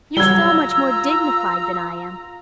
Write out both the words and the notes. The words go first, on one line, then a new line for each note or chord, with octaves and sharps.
You're so much more dignified than I am.
F#3 G3 F4 A#5 E6 G#6 G7